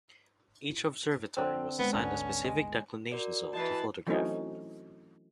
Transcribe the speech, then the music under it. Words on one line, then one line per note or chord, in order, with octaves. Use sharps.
Each observatory was assigned a specific declination zone to photograph.
D3 C4
F2 G#3 B3
G#1 D2 D3 B3 C#4
G#3
F#4 A#4 D5
E3 F#4 B4 D#5 A5 C7
E3 F#3 A3 C4 C#4 D#4